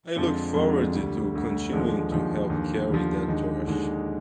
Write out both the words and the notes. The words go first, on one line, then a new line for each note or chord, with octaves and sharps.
I look forward to continuing to help carry that torch.
F2 D3 F3 G#3 C4
F2 D3 F3 G#3 C4
D2 D3 G3
D2 D3 G3
D#2 D3 F3 G#3
D#2 D3 F3 G#3
D#2 D3 F3
D#2 D3 F3
D#2 D3 G#3 D#4
D#2 D3 G#3 D#4